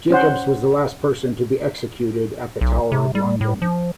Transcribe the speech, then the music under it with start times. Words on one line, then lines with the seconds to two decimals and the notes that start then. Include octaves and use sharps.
Jakobs was the last person to be executed at the Tower of London.
0.10 C#4 C5 F#5
2.61 B1
2.92 C3
3.15 G3
3.41 A2
3.62 F3